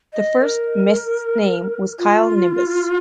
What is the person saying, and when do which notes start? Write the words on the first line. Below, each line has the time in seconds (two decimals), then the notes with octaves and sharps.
The first Mist's name was Kyle Nimbus.
0.13 D#5
0.40 A#4
1.99 F4